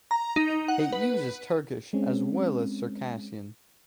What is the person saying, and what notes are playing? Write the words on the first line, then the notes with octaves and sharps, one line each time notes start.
It uses Turkish as well as Circassian.
A#5
D#4
F#5
B4
G#3 C4 C#4